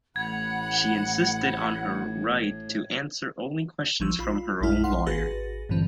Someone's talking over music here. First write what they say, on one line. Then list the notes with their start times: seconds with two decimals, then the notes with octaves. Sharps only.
She insisted on her right to answer only questions from her own lawyer.
0.16 A1 A2 F#5 B5 F#6 G#6
4.00 A#1 F3 C#6 E6
4.19 F4 B5
4.61 A#1 F#2 G#3 E4 F6
4.84 F5 F#5 C6
5.07 G#1 F#4 G#4 B4 A6 A#6
5.69 G2 A#2 D3 E3 C4